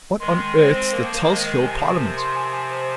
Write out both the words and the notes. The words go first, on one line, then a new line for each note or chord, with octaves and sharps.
'What on earth's the Tulse Hill Parliament?'
D#3 G#3 C6
C6
G#3 C4 C5
C5
F3 A#3 A#4
A#4
D#3 G#3 D#5
A#4
C3 F3 G#5
A#4
A#4
C6
G#5
G#5
C5